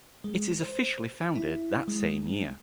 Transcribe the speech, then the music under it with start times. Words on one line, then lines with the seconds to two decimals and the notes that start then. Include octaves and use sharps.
It is officially founded that same year.
0.24 G#3
0.62 C5
1.35 E4
1.88 G#3